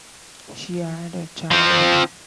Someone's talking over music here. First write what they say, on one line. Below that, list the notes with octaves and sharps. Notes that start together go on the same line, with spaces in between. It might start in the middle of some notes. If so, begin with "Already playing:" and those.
She had a child with him.
F3 C4